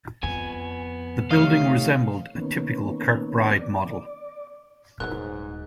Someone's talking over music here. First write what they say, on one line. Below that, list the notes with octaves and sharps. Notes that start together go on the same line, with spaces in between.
The building resembled a typical Kirkbride model.
F2 B3 G#5
C3 D#3 A3 C#5 D#5 F5
D#3 A#3 B3 C#4
D5
D#1 G#2 F#3 A#3 B3 A#4 F#6